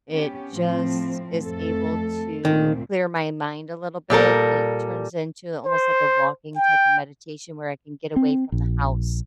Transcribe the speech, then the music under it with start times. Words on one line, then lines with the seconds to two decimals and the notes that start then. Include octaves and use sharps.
It just is able to clear my mind a little bit. It turns into almost, like, a walking type of meditation where I can get away from the house,
0.11 B3 C#4 G4
0.52 A2 F3 C4
1.44 F2 A3 A4
2.45 D2 A#2 D#3 C4
4.10 A#2 G3 A4 A#4
5.65 C5
6.56 G5
8.16 C4
8.52 A#1